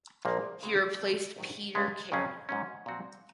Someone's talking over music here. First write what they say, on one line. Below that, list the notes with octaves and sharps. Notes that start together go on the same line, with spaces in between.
He replaced Peeter Karin.
A#1 A#2 F3 A#3
C#3 G#3 C4 F#4
C#3 F3 C4
A#1 G#2 D#3 F#3
C#2 C#3 G#3
F2 C#3 F#3 C#4 G#4
G#2 F#3 C#4
A#2 F3 C4 F#4